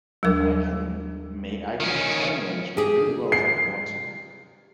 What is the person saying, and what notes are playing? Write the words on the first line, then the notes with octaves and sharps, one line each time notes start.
I can ma I can time management really well if I want to.
D#2 F#3 G3 D4 A#4
D#3 C#4
G4 G#4
C7